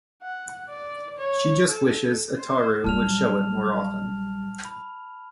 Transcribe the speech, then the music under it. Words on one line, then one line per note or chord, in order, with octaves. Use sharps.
She just wishes Ataru would show it more often.
F#5
D5
C#5
A4
C5
A#1 F#3 G3 A5 F6 F7
B5